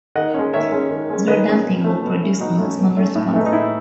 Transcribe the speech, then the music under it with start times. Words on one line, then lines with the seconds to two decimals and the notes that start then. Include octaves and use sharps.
Zero damping will produce a maximum response.
0.16 D#3 D#5 F#5
0.34 G#3 C#4
0.53 D#3 C#5 E5
0.72 G#3 C#4
0.90 D#3
1.10 G#3 C#4
1.27 D#3 B4 D#5
1.47 G#3 C#4
1.65 B2
1.84 A3 C#4
2.03 B2
2.22 A3 C#4
2.40 B2 D#4 F#4
2.58 A3 C#4
2.78 B2
2.97 A3 C#4
3.15 A2
3.33 E3 A3 D#4
3.46 D#4
3.53 A2 E4